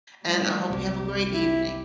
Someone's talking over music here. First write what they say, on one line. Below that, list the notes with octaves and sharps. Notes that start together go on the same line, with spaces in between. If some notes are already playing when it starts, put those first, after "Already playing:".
and I hope you have a great evening.
G3 A3
F#1 C2 C3 G4
E4